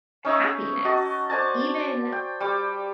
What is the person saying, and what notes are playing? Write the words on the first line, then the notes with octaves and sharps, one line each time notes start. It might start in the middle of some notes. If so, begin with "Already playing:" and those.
happiness even
C#4 D#4 C#5 E5
F#4 D#5 A5
C5 D5 G#5 A5
G5
G3 G5 D6